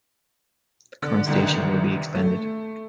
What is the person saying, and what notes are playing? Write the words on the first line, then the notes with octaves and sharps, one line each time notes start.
The current station will be expanded.
D3
G1 C2 D3 D#3
A3